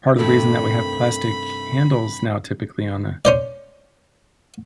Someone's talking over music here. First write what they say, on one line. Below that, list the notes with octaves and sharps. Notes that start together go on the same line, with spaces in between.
part of the reason that we have plastic handles now typically on the
G2 C3 D#3 A3 B5
C#4 C5 D5